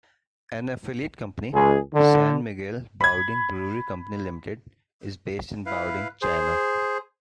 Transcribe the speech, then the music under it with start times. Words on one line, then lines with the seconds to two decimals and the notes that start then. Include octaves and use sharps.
An affiliate company, San Miguel Baoding Brewery Company Limited, is based in Baoding, China.
1.54 C#2 G#4
1.94 D3
3.01 B5 G#6
5.66 E4 B4 F5
6.22 G#4 C5